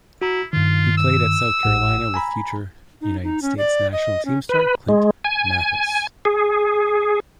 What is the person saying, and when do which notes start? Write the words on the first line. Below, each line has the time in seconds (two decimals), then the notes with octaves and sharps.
He played at South Carolina with future United States national team star Clint Mathis.
0.22 E4 F#4 A#5
0.53 G2 D#3 F4
0.97 E6
1.63 A1 A2 F#5
2.14 G#5 A#5 B5
3.01 D#4
3.24 D#4
3.42 C#4
3.58 D5
3.92 D#5
4.25 C#4
4.49 B4
4.89 G#3
5.25 G#5
6.25 G#4